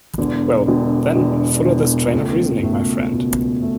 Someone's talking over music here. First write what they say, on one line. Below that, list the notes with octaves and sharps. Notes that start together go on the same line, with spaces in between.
Well, then, follow this train of reasoning, my friend!
E1 E2 D3
E1 E2 D3
E1 E2 D3
E1 E2 D3
C#2 B2 A3
C#2 B2 A3
C#2 B2 A3
B2 A3